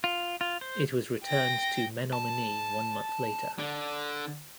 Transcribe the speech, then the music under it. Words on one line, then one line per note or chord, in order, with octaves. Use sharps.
It was returned to Menominee one month later.
F4
F4
C5
G5 A#6
A5
D3